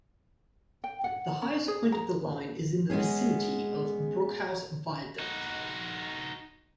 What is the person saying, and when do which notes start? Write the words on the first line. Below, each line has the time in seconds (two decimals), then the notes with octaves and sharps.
The highest point of the line is in the vicinity of Brookhouse viaduct.
0.84 G5
1.04 F#5
1.42 C#4
1.68 G#4
1.92 A#5
2.90 G#3 B3 C#4 G#4
5.19 D#4 F#4